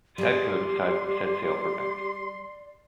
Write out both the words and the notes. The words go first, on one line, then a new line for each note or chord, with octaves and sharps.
Sadko decides to set sail for Venice.
G3 G4 G#4 D5 C6